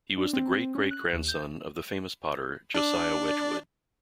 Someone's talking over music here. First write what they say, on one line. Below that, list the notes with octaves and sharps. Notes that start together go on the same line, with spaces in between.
He was the great-great-grandson of the famous potter Josiah Wedgwood.
D4
C4
C#4
F#6
D#2
G6
D4 D5